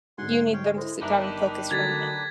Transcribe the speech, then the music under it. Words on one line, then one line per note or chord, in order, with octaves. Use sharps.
you need them to sit down and focus for a minute.
G#2 D3 F#5 G#5 C6
C#5 F5 G5
G#3 E4 A4 C5
G1 D4 D#4 G4 A#4 B4 E5 D6
D3 F#3 A3 G#6 A6 B6